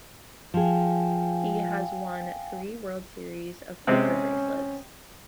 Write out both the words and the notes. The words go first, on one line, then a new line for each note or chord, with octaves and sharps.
He has won three World Series of Poker bracelets.
F3 G#4 F5 G5 G#5
C3 G#3 C4 C#4